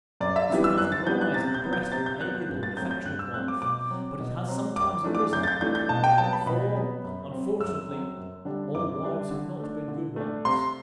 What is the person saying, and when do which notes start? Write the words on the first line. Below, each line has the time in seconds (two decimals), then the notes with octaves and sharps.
This would not arise in the breast of an amiable and affectionate wife, but it has sometimes arisen; for, unfortunately, all wives have not been good ones.
0.20 F#2 D5
0.36 E5
0.50 E3 G3 B3 D4
0.64 E6
0.78 F#2 F#6
0.92 A6
1.07 E3 G3 B3 D4 G6
1.21 F#6
1.34 C3 A6
1.54 G6
1.63 F#3 B3
1.73 G6
1.92 C3 A6
2.06 G6
2.20 F#3 B3 F#6
2.35 F#6
2.49 G2
2.63 A6
2.77 F#3 A3 C4 G6
2.91 G6
3.05 G2 F#6
3.19 E6
3.34 F#3 A3 C4 F#6
3.48 D6
3.62 B2 D6
3.91 F#3 C4
4.20 B2
4.48 F#3 C4
4.76 F#2 D6
5.04 E3 A3 D4
5.15 D6
5.33 F#2 G6
5.43 A6
5.48 G6
5.61 E3 A3 D4 G6
5.75 G6
5.89 B2 A5
6.04 G5
6.18 F#3 B3 A5
6.33 B5
6.46 B2 B5
6.74 F#3 B3
7.04 F#2
7.32 F#3 C4
7.60 F#2 E6
7.89 F#3 C4
8.17 F#2
8.45 D3 G3 D4
8.75 F#2 D6
9.02 D3 G3 D4
9.30 D3
9.60 A3 D4
9.88 D3
10.16 A3 D4
10.45 C3 C6